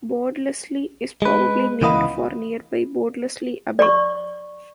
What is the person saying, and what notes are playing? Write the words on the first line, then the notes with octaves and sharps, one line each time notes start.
Bordesley is probably named for nearby Bordesley Abbey.
G#3 B4
C#2 E3 B3 D#5 F5 B5
D5 C#6